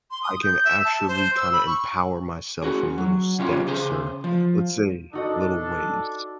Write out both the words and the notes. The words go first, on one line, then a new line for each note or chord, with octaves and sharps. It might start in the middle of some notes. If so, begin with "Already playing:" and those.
I can actually kinda empower myself in little steps, or, let's say, little ways.
C6
D#6
G6
E5
A5
C5
E6
B5
C#6
C#4 F#4 G#4
F#3
C3 C#4 F4 G4
C#3 G#4 C5
F3
D4 D#4 F#4 A4 D#5